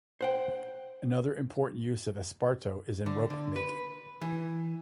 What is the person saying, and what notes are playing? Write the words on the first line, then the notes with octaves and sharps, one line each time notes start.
Another important use of esparto is in rope-making.
C5 F#5 G5
D3
D3
B4
E3